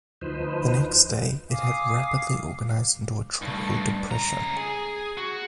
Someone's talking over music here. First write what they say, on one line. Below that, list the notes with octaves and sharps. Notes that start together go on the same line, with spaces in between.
The next day, it had rapidly organized into a tropical depression.
D2 F3 D#4 B4 C5
F5 G#5 D6 D#6
G2 A3
C#2 A#5
G#4
F#4